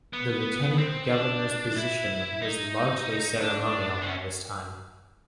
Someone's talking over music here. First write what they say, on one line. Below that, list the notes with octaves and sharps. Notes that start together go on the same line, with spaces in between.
The lieutenant governor's position was largely ceremonial by this time.
B3
C4
D4
E4
D#4
D4
C4
C#4